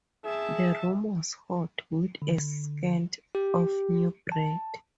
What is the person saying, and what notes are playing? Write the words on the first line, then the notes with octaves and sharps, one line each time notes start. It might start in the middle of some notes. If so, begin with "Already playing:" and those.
The room was hot, with a scent of new bread.
G#4 E5 A5
D3
G4
A5